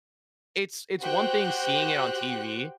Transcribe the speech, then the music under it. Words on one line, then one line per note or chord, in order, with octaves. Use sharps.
it's it's one thing seeing it on TV
F#4 G4 C5 G5 F#6